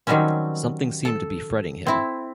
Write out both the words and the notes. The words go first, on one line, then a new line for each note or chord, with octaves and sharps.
Something seemed to be fretting him.
D#3 F#3 G3 C4 C#4
A4
C4 E4